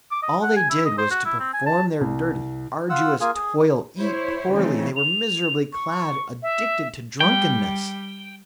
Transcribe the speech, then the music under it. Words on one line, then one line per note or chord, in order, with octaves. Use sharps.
All they did was to perform their dirty, arduous toil, eat poorly; they were miserably clad, addicted to drunkenness.
D6
D#5
F#5
G#5
E4
D#5
C5
F#4
E4
C4
G#5
A5
C2
F4 F#5 E6
A#3 F4 G#4 G#5
G#4
E4 C5 C#5
C#3 E3 A3 C4 D#4
F7
C#6
E5
G3 G5